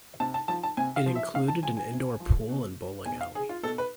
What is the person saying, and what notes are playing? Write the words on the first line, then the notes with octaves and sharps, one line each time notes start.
It included an indoor pool and bowling alley.
C3 A5
A5
F3 A5
A5
C3 G#5
F5
F3
E5
C3 F5
A5
F3 G#5
G#5
C3
F3
B2
B2 G#5
F5
G#4
F4
B2 A4
B4